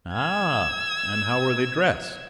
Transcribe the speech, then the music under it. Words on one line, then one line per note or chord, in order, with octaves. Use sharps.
"Ah! and how were they dressed?"
E6 G#6